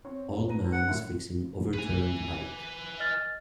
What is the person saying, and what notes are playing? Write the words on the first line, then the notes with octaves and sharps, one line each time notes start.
Old man is fixing overturned bike.
C4 C#5
B4 A#5 D#7
F#5
A2 D3 A#3
B4 G#5
D#5 F6 A6